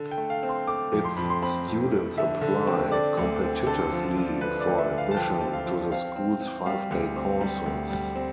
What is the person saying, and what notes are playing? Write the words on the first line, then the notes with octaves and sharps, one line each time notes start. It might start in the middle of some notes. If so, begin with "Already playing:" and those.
Its students apply competitively for admission to the school's five-day courses.
Already playing: D3
G5
A3
F5
C4
C6
A3 D6
F2
C6
F2 B5
C6
C4 B5
F2
A3
D3 E5
D3
C4
D3 D5
D2
C4
D3 A4
F3
F3
D3 B4
D5
D2
E5
D3
F5
A5
F3 G5
C4
F5
F3
C4 F5
C4
C4
G3 F5
D2
C4
G3
D2
G3
C4